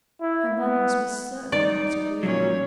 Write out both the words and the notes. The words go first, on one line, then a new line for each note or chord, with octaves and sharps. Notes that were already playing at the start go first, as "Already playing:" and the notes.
Her manners were certainly not agreeable.
E4
B3
D#4 D5
A#2 F3 F#3 C#4 C#5